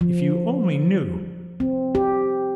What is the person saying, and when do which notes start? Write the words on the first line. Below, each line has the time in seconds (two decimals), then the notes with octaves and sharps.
If you only knew!
0.01 F3
1.60 C4
1.95 G4